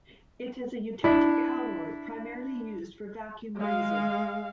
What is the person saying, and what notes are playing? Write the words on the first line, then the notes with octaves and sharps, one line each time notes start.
It is a eutectic alloy primarily used for vacuum brazing.
D4 E4
G#3 F5